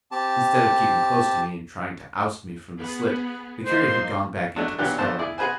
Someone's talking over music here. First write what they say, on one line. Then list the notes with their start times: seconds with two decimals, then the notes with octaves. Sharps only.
Instead of keeping close to me and trying to oust me from the slit, the curate had gone back into the scullery.
0.11 C4 G4 A5
2.79 B3 G#4
3.66 A#3 D#4 C5 C6
4.56 F#3 G#3 A3 D4 C#5
4.78 A#2 D3 E3 F#3 B3 G4
4.98 F2 D3 A3 C5 A5
5.19 E4 G#4 D5
5.38 F#4 G#4 B4 C5 G#5